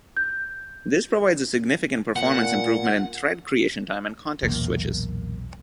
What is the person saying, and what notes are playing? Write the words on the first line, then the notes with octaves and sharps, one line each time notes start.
This provides a significant performance improvement in thread creation time and context switches.
G6
A#2 F#5
B1 E2 A#2 A#3